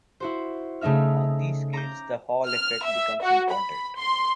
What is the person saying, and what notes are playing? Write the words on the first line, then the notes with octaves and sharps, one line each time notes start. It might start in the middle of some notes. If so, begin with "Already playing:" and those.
On these scales the Hall effect becomes important.
E4 F#4 C5
C#3 A3 D#4 E5 F6
A#5 D6 G6
F6
E5
F#4
B5
C6